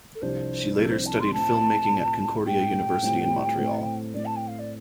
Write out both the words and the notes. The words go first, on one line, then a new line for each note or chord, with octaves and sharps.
She later studied filmmaking at Concordia University in Montreal.
A4
C2 C3 F3 D4 C5
C2 C3 F3 D4 A4
C5
A5
C6
A2 A3 C4 F4 A5
A2 A3 C4 F4
A2 G3 C4 F4 G5
A2 G3 C4 F4
A2 A3 C4
A2 A3 C4 D5
A5
G5
F5
D5